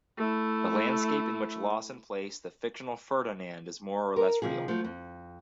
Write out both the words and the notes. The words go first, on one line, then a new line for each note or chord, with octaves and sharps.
The landscape in which Lawson placed the fictional Ferdinand is more or less real.
A3 E4
A#4
C3 D#3 F3 G#4
F3 F#3 A3
F2